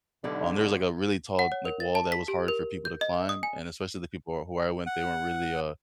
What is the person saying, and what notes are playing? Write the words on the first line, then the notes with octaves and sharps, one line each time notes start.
um there's, like, a really tall, like, wall that was hard for people to climb, and especially the people who I went they weren't really, uh,
B1 B2 D3 D#4 G4 D5
F#5
C#5
A#4
A6
A5
B6
G4
A#4
G6
D#5
D#6
G#5
F#5